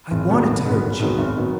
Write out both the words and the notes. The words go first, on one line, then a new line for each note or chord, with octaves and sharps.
I wanted to hurt you.
G#1
G#2 D#3 F#3 B3
G#1
G#2 D#3 F#3 B3
G#1
G#2 D#3 F#3 B3
G#1
D#3 F#3 B3